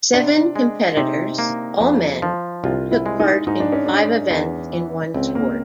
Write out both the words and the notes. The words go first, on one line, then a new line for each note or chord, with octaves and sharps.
Seven competitors, all men, took part in five events in one sport.
C3 D4
G#3
C3 D#4
A#3
F2
F3
C2 F4
E4
G#3
D#4
G#2 D#4
D4
C#4
G#3 D4
E2
E3
C#2 C4
A#3